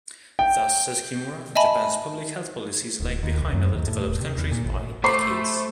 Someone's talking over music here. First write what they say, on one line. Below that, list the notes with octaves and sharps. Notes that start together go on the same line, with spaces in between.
Thus, says Kimura, Japan's public health policies lag behind other developed countries, by "decades".
G5
D#5 E5 G#5 A5 B5
D1
D#2
C2
F#2
D#2
A2
D#1
C3
E2
A#2
A1
A3 C5 B5 C#6 D6 C7